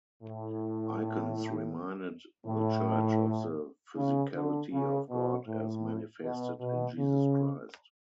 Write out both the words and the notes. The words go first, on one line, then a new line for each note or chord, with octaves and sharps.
Icons reminded the church of the physicality of God as manifested in Jesus Christ.
A2
A2
C#3
D3
C#3
B2
A2
B2
B2
C#3